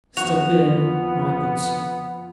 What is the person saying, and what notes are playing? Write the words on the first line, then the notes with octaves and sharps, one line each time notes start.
"Step in, my good sir."
F2 D3 F3 B3 F#4 F7